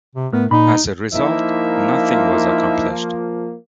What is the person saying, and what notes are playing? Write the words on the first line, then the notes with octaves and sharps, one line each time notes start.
As a result, nothing was accomplished.
C3
A2 B3 A#4
A#2 D#4 B5
F3 A#3 D#4 E4 E5